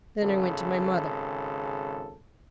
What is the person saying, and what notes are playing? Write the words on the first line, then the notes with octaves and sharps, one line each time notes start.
Then I went to my mother.
G#1 C#3 A4